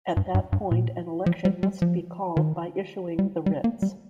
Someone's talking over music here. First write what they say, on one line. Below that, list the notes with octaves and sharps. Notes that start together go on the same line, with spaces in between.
At that point, an election must be called by issuing the writs.
G2
G2
G2
A#2
F3
G3
G3
F3
D#3
G3
G3
A#3
G3